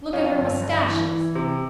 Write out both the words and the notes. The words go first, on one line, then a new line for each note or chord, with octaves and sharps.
Look at her moustaches!
F2 C#4 F4
G1
G1
E3
E3
C3